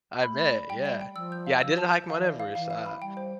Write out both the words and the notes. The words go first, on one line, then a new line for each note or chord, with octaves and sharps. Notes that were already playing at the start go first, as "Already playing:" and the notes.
I bet, yeah. Yeah, I didn't hike Mount Everest, uh,
A3 B5
B5
D5
G3 G5
D5
G5
F3 E6
G6
F5
F3 E6
A5
G6
E3 F5
D5
F5
E3 F5
F5
B5
G3 G5
C5